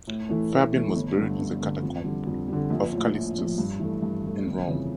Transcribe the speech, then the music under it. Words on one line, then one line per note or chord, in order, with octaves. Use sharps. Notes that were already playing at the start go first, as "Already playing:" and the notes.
Fabian was buried in the catacomb of Callixtus in Rome.
A2
E3 A3
A2
E3 A3
G1
G2 D3 A3
G1
G2 D3 A3
F2
D3 G3
F2
D3 G3
A#1
A2 F3
A#1
A2 F3
G2
E3 A3
G2
E3 A3
G1
F2 C#3 E3